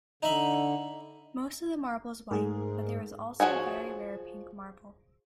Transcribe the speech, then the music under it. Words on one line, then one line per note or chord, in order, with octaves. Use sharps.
Most of the marble is white, but there is also very rare pink marble.
D3 D#4 E5 B5
G#2 A3 G#4 A#4
F3 D4 F#4 G#4 C#5